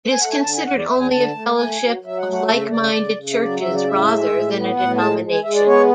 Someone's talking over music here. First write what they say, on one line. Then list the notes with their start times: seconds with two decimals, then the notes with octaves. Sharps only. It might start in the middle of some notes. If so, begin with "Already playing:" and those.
It is considered only a fellowship of like-minded churches, rather than a denomination.
0.12 G#5
0.20 A3 F#5
0.31 G#5
0.43 D3 A5
0.54 G#5
0.65 E2 F#5
0.77 D5
0.88 E2 E5
0.99 G#5
1.12 D3 A5
1.34 A3
1.56 A3 G#5
1.79 F#3
2.02 F#3 E5
2.17 F#5
2.25 A3
2.33 F#5
2.48 C#3 E5
2.70 C#3 D5
2.93 C#3
3.16 C#3
3.32 E5
3.38 F#3 D5
3.61 C#3 E5
3.75 D5
3.84 A2 E5
4.07 G#3
4.30 A2
4.52 B3
4.75 A2 F#5
4.98 G#3 A5
5.21 G#3
5.32 G#5
5.43 G#3 E5
5.55 D5
5.66 B3 C#5